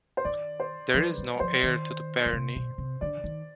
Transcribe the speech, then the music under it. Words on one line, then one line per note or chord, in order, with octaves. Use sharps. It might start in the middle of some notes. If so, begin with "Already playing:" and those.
There is no heir to the barony.
C5
D#3 D5
C5
F3 B4
G3
F3 C5
D#3
D3
C3
B2
C3
D3 D5
D#3